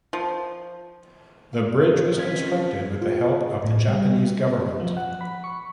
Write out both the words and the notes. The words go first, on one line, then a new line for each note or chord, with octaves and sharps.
The bridge was constructed with the help of the Japanese Government.
F3
F5
D#3 F3 C4 C#4 B4 F6 G#6
F4
A2
G3
F3
F#5
B5
C#6